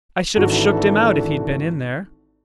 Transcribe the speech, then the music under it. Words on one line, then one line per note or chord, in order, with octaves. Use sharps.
"I should have shooked him out, if he'd been in there!"
G#1 E3 D4 F#4 A4